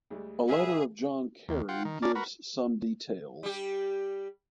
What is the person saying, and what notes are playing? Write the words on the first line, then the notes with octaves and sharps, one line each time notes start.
A letter of John Carey gives some details.
D2 G3 G#3
G#4 B4 E5 F5 G#5
D#2
F4 F#5 G5
D#3
C#4 D4 A#4 D5
F#4 A#4 B4
G3 G4